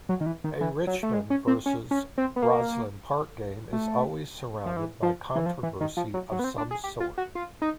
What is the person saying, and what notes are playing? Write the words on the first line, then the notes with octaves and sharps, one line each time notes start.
A Richmond versus Rosslyn Park game is always surrounded by controversy of some sort.
F#3
D#3
E3
D#3
E3
F#3
A3
G#3
C#4
C4
C#4
C#4
C4
B3
A#3
A3
F3
E3
F3
E3
F3
E3
D#3
F3
F#3
F#3
B3
C4
D4
G#4
G4
F4
F#4
F4
D#4